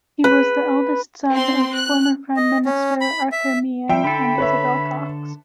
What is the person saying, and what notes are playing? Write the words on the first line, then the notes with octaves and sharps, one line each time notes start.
He was the eldest son of former Prime Minister Arthur Meighen and Isabel Cox.
B4
C4 C6
F#6
D#5
C#4
B5
E5
F3 G3 E5 G5
D3 A4 B5
B4 C#5 E5